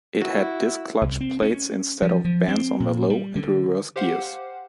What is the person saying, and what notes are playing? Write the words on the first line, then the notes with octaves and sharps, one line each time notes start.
It had disc clutch plates instead of bands on the low and reverse gears.
E4 F#4
C2
C4
C#4
F3
F3
C4
A#2
G3
D3
G4 C5 F5 F#5